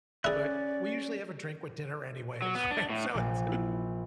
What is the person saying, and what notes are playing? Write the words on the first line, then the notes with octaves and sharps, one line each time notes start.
but we usually have a drink with dinner anyways, right? So it's,
C#4 E4 G#4 D5 F#6
F#3
B3
D4
A2
A#1
E4